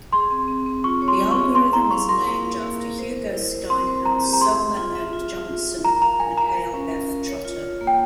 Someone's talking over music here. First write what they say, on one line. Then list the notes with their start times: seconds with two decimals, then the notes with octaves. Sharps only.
The algorithm is named after Hugo Steinhaus, Selmer M. Johnson and Hale F. Trotter.
0.13 G#4 C6
0.31 C4
0.48 C4
0.66 C4
0.84 F4 C#6
1.02 C#5
1.08 C6
1.20 F4
1.31 C#6
1.37 G#4
1.55 F5 C6
1.73 E4 A#5
1.91 F5 C#6
2.09 A#4 C6
2.27 A#3
2.45 F5
2.63 A#3
2.80 A#4
2.99 C5
3.16 C5
3.34 E4
3.52 C5
3.70 C4 C6
3.87 C5
4.05 C4 A#5
4.23 G4
4.33 A#5
4.41 G#4 C6
4.59 G#4
4.77 F4
4.95 E5
5.13 F4
5.30 F4
5.49 F4
5.66 F4
5.85 A#4 A#5
6.02 F5 A#5
6.20 A#4 G#5
6.37 F5 A#5
6.56 A#4
6.74 C#4
6.91 A#4
7.10 A#4
7.28 C#5
7.45 F4
7.63 F4
7.81 A#3
7.87 G5